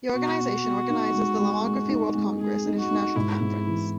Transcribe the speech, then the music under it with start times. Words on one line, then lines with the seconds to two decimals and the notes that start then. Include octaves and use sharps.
The organisation organises the Lomography World Congress, an international conference.
0.13 B2 F#4
0.39 B2
0.64 B2
0.89 D#4
1.14 G#3
1.39 G#3
1.65 G#3
1.89 D#4
2.15 G#3
2.40 G#3 G#4
2.66 D#4
2.78 F#4
2.91 D#4
3.16 G#2 E4
3.41 G#2
3.66 E3